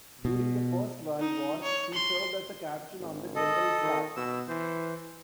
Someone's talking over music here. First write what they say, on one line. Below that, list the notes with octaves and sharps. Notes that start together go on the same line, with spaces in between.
During the First World War, he served as a captain on the General Staff.
B2
D#4
C#5
C6
G#1
A4 D#5
D#3
B2 E6
E3 C5